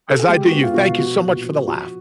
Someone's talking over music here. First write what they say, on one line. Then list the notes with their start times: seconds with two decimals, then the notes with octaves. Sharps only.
As I do you, thank you so much for the laugh.
0.10 A4
0.19 G#4
0.28 G#3 G4
0.46 F#4
0.52 B3
0.63 F4
0.74 B2 F#4
0.80 F4
0.98 F3 F#4
1.22 A#2
1.44 F3
1.67 F3 F#4